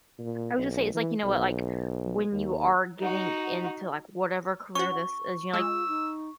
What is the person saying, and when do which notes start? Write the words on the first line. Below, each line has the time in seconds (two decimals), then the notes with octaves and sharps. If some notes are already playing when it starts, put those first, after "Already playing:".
I would just say it's like, you know what? Like, when you are getting into, like, whatever career this is, you know, like
0.18 A#2
0.58 B1
0.94 E3
1.24 B1
2.32 D#2
3.01 D#4 F#4
4.75 C#4 F#4 C#6
5.54 G#3 F4 E6
5.88 D#4